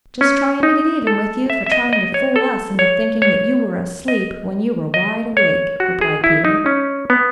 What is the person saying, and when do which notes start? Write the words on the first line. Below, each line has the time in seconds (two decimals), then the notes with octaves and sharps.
"Just trying to get even with you for trying to fool us into thinking that you were asleep when you were wide awake," replied Peter.
0.21 C#4
0.63 D#4
1.07 A4
1.50 E5
1.66 E5
1.72 D#5
1.93 D#5
2.14 C#5
2.36 A4
2.79 C#5
3.22 C#5
4.08 D#5
4.94 D#5
5.37 C#5
5.80 F#4
6.01 G#4
6.24 E4
6.45 D#4
6.66 C#4
7.10 B3